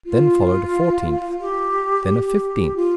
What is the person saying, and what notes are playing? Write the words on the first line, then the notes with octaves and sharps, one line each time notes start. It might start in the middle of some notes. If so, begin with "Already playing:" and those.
Then followed a fourteenth; then a fifteenth.
F4
G4
G4
F4